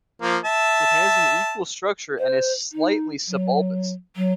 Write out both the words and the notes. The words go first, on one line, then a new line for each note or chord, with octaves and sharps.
It has an equal structure, and is slightly subulbous.
F3 A#3
E5 A5
C5
D#4
F#3
F#3